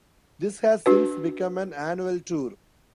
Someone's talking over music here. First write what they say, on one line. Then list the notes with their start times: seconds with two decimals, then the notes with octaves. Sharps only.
This has since become an annual tour.
0.86 D4 F#4 B4